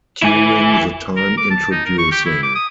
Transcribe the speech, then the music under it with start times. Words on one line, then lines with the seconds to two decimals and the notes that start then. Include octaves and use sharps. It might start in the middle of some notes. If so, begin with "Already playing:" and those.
During the time Introducing...
0.22 E4 G#5
1.16 A#4
1.37 D6
1.50 A5
1.71 D#4
1.85 A#4
1.98 C#6
2.11 G4
2.26 E4
2.43 D6
2.55 D#6